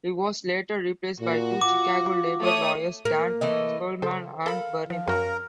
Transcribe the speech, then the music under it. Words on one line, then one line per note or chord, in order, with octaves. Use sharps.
He was later replaced by two Chicago labor lawyers, Dan Schulman and Bernie Baum.
A#2 F#4
F4 D6
A3 C#5 D#6
A#3
E3 A3 D#5
C#3 A4 C5
A4 A#4 F5 B5
F3 F5
F#2 C#4 F#4 A#4